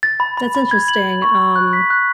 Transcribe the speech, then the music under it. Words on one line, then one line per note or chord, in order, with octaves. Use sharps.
That's interesting, um,
A6
B5
B5
B5
G#6
F#7
G#6
C#6
B5
F#6
B6
F#6